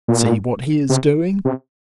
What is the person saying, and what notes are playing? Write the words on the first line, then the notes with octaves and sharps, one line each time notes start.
See what he is doing.
A#2
C3
C3